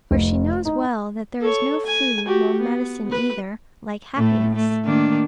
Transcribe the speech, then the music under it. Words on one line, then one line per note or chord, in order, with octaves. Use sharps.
For she knows well that there is no food, nor medicine either, like happiness.
F1
D#4
A4 C#5
G#5
F#4 G4
B3
B4
A2 A3
A3
D#3 A#3 D4